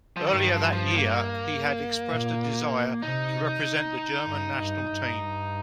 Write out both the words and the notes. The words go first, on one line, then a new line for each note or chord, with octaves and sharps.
Earlier that year, he had expressed a desire to represent the German national team.
F3
G2 D#3
F3
F3
A#3
A#2
C3 D#4
G2
G2
G2